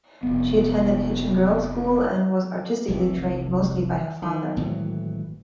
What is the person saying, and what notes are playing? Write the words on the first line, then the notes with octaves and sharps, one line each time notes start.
She attended Hitchin Girls School and was artistically trained mostly by her father.
F1 B3
F1 C2 E3
D#3
G#1 A2 E3 F#3